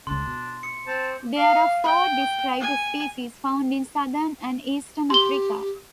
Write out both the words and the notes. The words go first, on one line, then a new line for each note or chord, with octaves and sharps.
There are four described species, found in southern and eastern Africa.
C#2 C#3 D4 C6
B2
C#7
C4 A5
F5
G5
G#5
G4 C6 G7